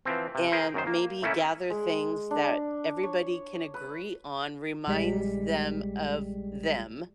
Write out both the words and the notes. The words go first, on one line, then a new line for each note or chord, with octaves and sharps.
and maybe gather things that everybody can agree on reminds them of them.
E3 F3 C4
C3
G#4 A#4 C5
F#2 D#3 C5
A#3
A2 A3 A#3 C#4 E4
G#3
D4
C#5
B4
A#1 G3 G#3 G4 D5 B6